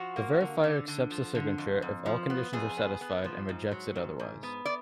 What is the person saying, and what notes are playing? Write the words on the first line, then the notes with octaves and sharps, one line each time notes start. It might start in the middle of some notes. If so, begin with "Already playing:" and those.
The verifier accepts a signature if all conditions are satisfied and rejects it otherwise.
Already playing: F3 F#4
A#3
D3
D3
D3
F3
D3
F2
F2
F3
B3
F2 G#4
B3
B3
F3
G#2
F#3
G#2
G#2
B3
D5